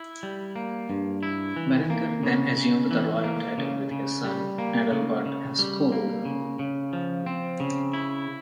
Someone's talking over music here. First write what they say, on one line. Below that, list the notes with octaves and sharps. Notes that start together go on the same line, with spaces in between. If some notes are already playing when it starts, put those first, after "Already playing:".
Berengar then assumed the royal title with his son Adalbert as co-ruler.
Already playing: E4
G3
A#3
G2
E4
E3
A#3
C#3
C#3
E3
A#3
C#3
C#3
G3
A#3
C#3
C#3
G3
A#3
C#3
C#3
F3
C4
C#3
E4